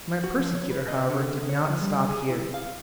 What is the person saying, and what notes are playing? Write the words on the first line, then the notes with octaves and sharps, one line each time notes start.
My persecutor, however, did not stop here.
F#4
F3
C#5
B4
D#5
D3
C#5
F3
G3
G#4
E4
F5